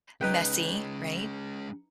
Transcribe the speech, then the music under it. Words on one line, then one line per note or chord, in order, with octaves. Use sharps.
messy, right?
G#3 C#4 D#4 B4 G5